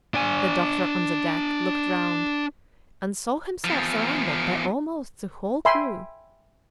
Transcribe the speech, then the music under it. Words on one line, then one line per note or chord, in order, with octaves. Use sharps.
The doctor, on the deck, looked round, and saw himself surrounded by almost the whole crew.
D4 G#5
E2 F3
E5 G5 G#5 B5 C6